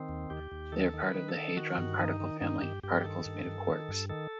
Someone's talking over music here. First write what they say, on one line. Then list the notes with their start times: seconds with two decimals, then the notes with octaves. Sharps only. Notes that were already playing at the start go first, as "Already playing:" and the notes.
They are part of the hadron particle family - particles made of quarks.
Already playing: D#3 C4
0.09 D#2
0.30 D#2 G4
0.51 D#2
0.72 D#3 A4
0.94 D#3
1.00 B4
1.14 D#3
1.28 A4
1.36 D#3
1.57 D#3 F#4
1.78 G2
1.99 D#3 D#4
2.20 D#3
2.41 G2 D#4
2.62 G2 G4
2.83 G2 G4
3.04 D#3 A4
3.25 G2
3.47 G2
3.68 D#3
3.89 G2
4.09 D#3 A4